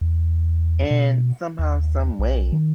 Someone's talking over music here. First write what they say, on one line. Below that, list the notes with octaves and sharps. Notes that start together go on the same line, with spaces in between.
and somehow, some way,
E2
B2
D#2
B1
D#3